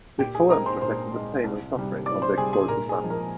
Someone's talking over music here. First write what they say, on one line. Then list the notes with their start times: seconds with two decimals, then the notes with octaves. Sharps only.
His poems reflected the pain and suffering of the exploited masses.
0.19 A#2 G4 G5
0.35 G#4 G#5
0.50 G#3 C4 A#4 A#5
0.66 C5 C6
0.81 A#2 C5 C6
1.12 G#3 C4
1.44 C2
1.75 C3 G3
2.06 C2 D5 D6
2.22 C5 C6
2.37 C3 G3 G#4 G#5
2.53 G#4 G#5
2.68 A#2 A#4 A#5
2.89 G#4 G#5
3.00 F3 G#3 C4
3.10 A#4 A#5